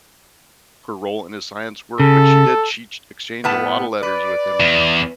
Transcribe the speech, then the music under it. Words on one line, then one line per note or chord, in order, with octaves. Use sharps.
her role in his science work, but she did she sh exchanged a lotta letters with him,
C#3 A4
A2 B3 A5
B4 D5
E2